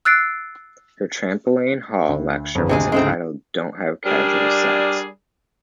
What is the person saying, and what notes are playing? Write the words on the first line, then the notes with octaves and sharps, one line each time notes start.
Her Trampoline Hall Lecture was entitled "Don't Have Casual Sex".
E6 F#6 A6 C7 D7
D2
G1 F2
G#1 D2 C3 G#3 G#4
D2 G#2 C#3 G#3 A3 C4
G3 D4 G#4 A#4 D5